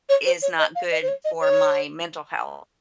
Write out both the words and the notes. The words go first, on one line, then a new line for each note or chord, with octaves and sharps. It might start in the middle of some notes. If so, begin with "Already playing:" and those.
is not good for my mental health."
C#5
C5
C#5
D#5
F5
D#5
C5
C#5
D#5
C#5